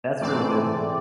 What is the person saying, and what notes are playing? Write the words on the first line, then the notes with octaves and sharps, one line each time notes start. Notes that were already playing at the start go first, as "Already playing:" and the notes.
that's really good.
G#2 E3 A3 C4 D5